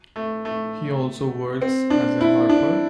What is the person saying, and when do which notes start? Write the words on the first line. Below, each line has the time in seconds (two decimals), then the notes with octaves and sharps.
He also works as a Harper.
0.16 A3
0.45 A3
1.61 C4
1.90 D4
2.21 E4
2.49 D4